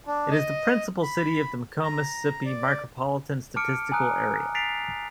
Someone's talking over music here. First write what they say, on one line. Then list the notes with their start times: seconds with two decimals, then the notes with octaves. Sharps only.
It is the principal city of the McComb, Mississippi Micropolitan Statistical Area.
0.07 D4
0.31 D#5
1.03 B5
1.84 A#5
2.46 D5
3.56 A5 D6 F6 C#7 D7
3.92 G#5 A#5 D#6 F#6
4.55 A6 B6 C7 D7 F7